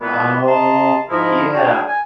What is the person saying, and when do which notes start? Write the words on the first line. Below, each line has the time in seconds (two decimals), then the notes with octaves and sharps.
Oh, yeah.
0.01 A#2 E3 G#3 B3
0.48 D#5 A5 A#5 C6 D#6
1.10 G#2 F3 E4 A#4 D#5
1.54 D4 F#4 G#4 C#5 G5
1.88 G#5